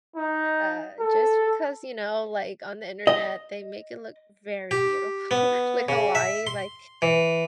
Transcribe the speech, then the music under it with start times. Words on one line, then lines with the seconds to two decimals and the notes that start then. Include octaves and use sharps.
uh, just because, you know, like, on the Internet, they make it look very beautiful. Like Hawaii, like,
0.16 D#4
1.00 A4
3.07 D#5
4.71 G4
5.31 B3
5.89 C#3
6.15 E5
6.47 C6
7.02 E3